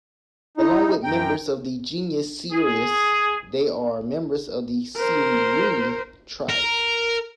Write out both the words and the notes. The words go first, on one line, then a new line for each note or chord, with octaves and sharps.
Along with members of the genus "Sciurus", they are members of the Sciurini tribe.
D#4 E4
F#2 G5 A#5
G#4
A#4 C5
A#4